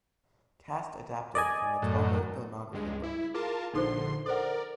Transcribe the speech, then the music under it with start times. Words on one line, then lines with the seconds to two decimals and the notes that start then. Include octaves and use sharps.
Cast adapted from the "Toho Filmography" book.
1.35 D5 D#5 G#5
1.82 F#2 A2
2.73 C#2 G2 G#3
3.03 E4
3.34 F4 G#4 A#4 A5
3.74 A#1 D3 D#4 A4 C5 C6
4.26 A4 A#4 C5 D5 F#5